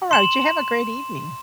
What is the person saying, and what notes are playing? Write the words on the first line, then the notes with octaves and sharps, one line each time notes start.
All right, you have a great evening.
C6 E7 F#7